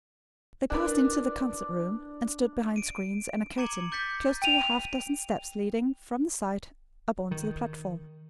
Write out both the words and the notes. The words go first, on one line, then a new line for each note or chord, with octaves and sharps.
They passed into the concert-room and stood behind screens and a curtain, close to the half-dozen steps leading, from the side, up on to the platform.
D4 E4 A#4 B4
D7 D#7
A#5 D6 G#6 C#7 D#7 F#7
D6 G6 A6 B6 C#7
G5 D7 D#7 F7
D#3